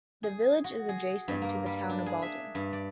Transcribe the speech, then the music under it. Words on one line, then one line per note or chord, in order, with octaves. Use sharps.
The village is adjacent to the Town of Baldwin.
G#4
F#4
G#4
G2
A#3
G3
D4
G#4
E5
G2
D5